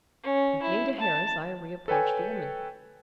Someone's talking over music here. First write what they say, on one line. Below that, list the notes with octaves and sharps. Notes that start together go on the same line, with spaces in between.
Beckoning to Harris, I reapproached the woman.
C#4
E4
A5
A4 B4 C#5 G5 G#5